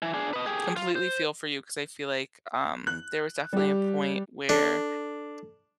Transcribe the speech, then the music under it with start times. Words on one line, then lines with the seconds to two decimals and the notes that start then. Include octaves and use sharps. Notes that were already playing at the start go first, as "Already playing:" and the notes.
completely feel for you, 'cause I feel like, um, there was definitely a point where
0.02 E3
0.14 D4 G#4
0.33 B4 D#5
0.46 G4 G#4
0.76 F4
0.96 C5
2.87 F#6
3.53 G3 G4
4.49 D4 A4